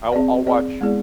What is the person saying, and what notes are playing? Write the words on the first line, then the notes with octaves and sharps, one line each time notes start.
I'll I'll watch
C4 G#4 D5
C4 G#4 D5
G#3 B3 E4 G#4 D5